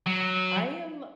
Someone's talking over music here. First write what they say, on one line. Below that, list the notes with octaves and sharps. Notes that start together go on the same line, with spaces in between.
I am
F#3